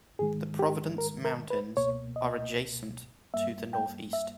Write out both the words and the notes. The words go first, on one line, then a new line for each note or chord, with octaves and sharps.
The Providence Mountains are adjacent to the northeast.
G#2 D#3 G#3 G#4
G4
A#4
A#4
B4
C#2 B2 A#3 C#5
D#5
G2 G3 A#3 E5
G5
E5